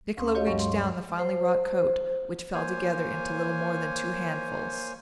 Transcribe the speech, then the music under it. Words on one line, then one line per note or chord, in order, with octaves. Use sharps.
Niccolo reached down the finely-wrought coat, which fell together into little more than two handfuls.
D2 C#4 C6 D#6
F#4 G4 C#5 D#5 F5
G2 F#3 G#3 C#6
C6
C5
A#3 C5 C#5 G#5